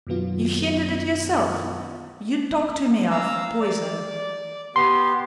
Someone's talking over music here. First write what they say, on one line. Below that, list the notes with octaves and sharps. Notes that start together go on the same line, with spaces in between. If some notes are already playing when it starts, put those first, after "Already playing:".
You hinted it yourself; you talked to me of poison....
F#2 B2 D#3 F#3 B3 F4
F5 A#5 E6
D5
B3 G4 C6